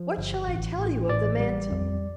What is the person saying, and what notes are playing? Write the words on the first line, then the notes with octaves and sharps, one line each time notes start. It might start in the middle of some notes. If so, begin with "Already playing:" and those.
What shall I tell you of the mantle?
Already playing: F3
G1
A1
A2
A1 D5
G3
F2